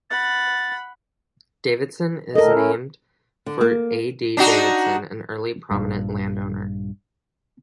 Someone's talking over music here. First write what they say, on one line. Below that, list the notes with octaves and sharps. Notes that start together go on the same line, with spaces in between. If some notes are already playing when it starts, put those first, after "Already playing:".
Davidson is named for A. D. Davidson, an early prominent landowner.
F#5 B5 A6
D2 A2 A4 A#4 D#5
C#4 E4
D3
A#3
D4 D#4 F#4
A#1 G2